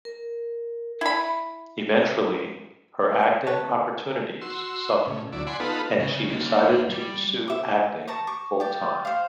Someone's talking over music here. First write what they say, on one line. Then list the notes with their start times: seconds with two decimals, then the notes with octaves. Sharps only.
Eventually, her acting opportunities suffered and she decided to pursue acting full-time.
0.05 A#4
1.01 E4 B5
3.47 A4 B4 C#5
4.41 F#4 C6 E6
5.07 A2 C#3
5.32 D2 F#3 E4 D5
5.47 D5 F#5 G#5 B5 C6
5.60 B3 D#4 F4 A4 B4
6.00 C#3
6.29 A#3 D#4
6.90 G3
7.48 E5 D6
8.08 A5 A#5 C#6
8.27 C#6 D6
8.60 G4 D5
9.05 C5 F5